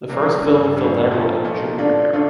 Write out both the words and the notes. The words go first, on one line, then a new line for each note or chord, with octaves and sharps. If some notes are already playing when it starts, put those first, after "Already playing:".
The first film of the Laemmle Jr. era.
C3 G3 A#3
G2 D3 G3
G2 D3 G3
A#2 F3 A3 D#4
A#2 F3 A3 D#4
D3 A3 D4 F4
D3 A3 D4 F4